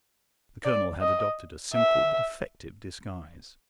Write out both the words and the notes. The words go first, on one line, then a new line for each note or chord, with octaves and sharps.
The colonel had adopted a simple but effective disguise.
D5
D#5
E5